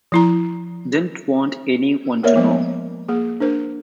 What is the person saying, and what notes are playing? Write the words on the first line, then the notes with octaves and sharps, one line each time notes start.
Didn't want any one to know.
F3 E4 A#5
A#3 B3 A#4 C#5 D5 E5
F3 G#3 B3 C5 D#5
A#3 G#4
D4 A#4 C5